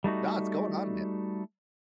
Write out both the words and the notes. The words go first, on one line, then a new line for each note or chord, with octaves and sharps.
No, it's going on, man.
G3 A3 D#4 F#4